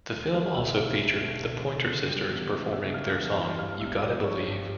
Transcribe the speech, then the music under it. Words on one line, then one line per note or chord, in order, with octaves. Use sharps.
The film also featured The Pointer Sisters performing their song "You Gotta Believe".
D2
A3 F5 F6
E1 E5 E6
D3 F5 F6
D2
A3
E1
D3
C#3
G3
E2
E3
C#3 E5 E6
G3 F5 F6
E2 F5 F6
E3 F5 F6
G2 F5 F6
F6
G1 E5 E6
G1 D5 D6
F3 C#5 C#6
G2